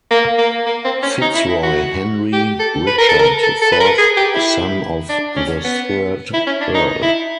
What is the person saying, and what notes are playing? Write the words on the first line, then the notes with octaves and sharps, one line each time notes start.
FitzRoy Henry Richard, fourth son of the third Earl.
A#3
A#3
A#3
C4
C#4
D#4
E4
E4
F#4
G4
A4
B4
A#4
A4
A#4
A4
A4
B4
A#4
G#4
G4
E4
D4
C#4
B3
E4
C#4
D4
D#4
E4